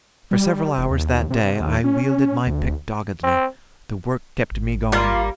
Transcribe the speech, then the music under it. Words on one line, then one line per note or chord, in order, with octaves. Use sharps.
For several hours that day, I wielded my pick doggedly. The work kept me going.
G3
E1
D#2
C3
D#2
C#4
D2
C4
G#1
G3 A#3 F4